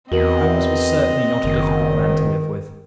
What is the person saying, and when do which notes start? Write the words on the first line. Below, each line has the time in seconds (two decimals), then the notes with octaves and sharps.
Holmes was certainly not a difficult man to live with.
0.12 E2 C4 F#4 A#4 D#5 F#7
1.44 F#1 D#3